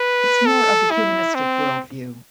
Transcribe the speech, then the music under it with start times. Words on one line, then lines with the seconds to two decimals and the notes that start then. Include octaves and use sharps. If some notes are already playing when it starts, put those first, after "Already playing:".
It's more of a humanistic world view.
Already playing: B4
0.46 A4
0.91 E4
1.35 C4